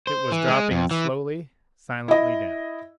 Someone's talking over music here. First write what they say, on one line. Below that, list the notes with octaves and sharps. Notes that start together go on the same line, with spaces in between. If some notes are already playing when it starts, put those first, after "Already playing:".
It was dropping slowly, silently down.
C5
E3
G#3
F2
E3
E4 D#5